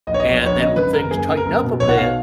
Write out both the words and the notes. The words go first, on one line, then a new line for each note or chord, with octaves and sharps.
and then when things tighten up a bit,
A#1 D#5
C#5
D#5
A#1
A#1 C#5
C#3 D#5
G#1 B4
F#2 A#4
F#1 G#4
C#3
A#4
F#1
B2
B1 C#5
F#5
B2 F5